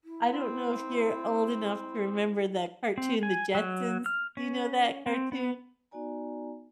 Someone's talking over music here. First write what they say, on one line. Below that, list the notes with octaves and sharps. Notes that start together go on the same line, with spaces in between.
I don't know if you're old enough to remember that cartoon, The Jetsons. You know that cartoon?
E4
C4
C4
G#5
F#3
F6
C#4
C4
B3
B3 D#4 F#4 D5 G#5 A#5